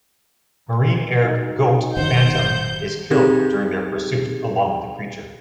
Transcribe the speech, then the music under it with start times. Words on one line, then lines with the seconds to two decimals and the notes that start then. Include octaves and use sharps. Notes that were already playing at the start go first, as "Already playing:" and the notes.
Marine Eric "Goat" Fantom is killed during their pursuit, along with the creature.
1.20 F#3 D#4
1.97 F#1 D#3 C5 F#5 G6
3.11 C4 D#4 G4 G#4 G6 G#6